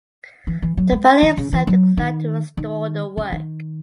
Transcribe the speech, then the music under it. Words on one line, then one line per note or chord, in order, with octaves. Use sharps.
Dobell himself declined to restore the work.
E3
E3
F#3
G#3
D#3
C#3
E3
F#3
D#3
D#3
C#3
D#3